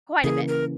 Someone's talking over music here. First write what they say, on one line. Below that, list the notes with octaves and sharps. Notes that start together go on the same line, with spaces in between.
quite a bit.
C#3 E3 A#3 G#4
A#4